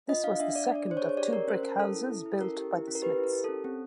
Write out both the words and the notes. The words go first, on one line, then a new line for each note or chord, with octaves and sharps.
This was the second of two brick houses built by the Smiths.
F4 D#5
D4 F5
D4 E5
D4 D5
D4
D5
D4
C5
C#5
G#4
C#5
G4 D5
C#4 A#4
C#4 C5
C#4 A#4
C#4 A4
E4
E4
E4
A4
C#4 A#4
G4
E4
C#4
A#4
G4 B4
E4
A#4
G4
C#4 A4
C4